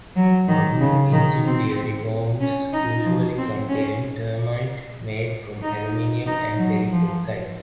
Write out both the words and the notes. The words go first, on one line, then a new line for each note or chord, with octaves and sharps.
Modern incendiary bombs usually contain thermite, made from aluminium and ferric oxide.
F#3
D#3
C#3
D#3
C4
C#4
D#4
F3
C4
C#4
D#4
D#4
F#3
F3